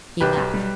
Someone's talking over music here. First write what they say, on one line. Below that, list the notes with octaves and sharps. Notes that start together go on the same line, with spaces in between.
He laughed.
B1 G4 B4
B1
G3